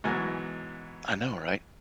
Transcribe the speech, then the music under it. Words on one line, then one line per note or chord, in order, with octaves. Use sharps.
I know, right?
G#2 B2 E3 F#3 A#4 G#5